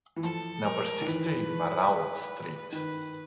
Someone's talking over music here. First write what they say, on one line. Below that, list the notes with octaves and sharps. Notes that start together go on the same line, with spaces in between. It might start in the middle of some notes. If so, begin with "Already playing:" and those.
Number sixteen, Marrault street.
E3
F3 A4
A#4
D#3
E3 B4
D#3 B4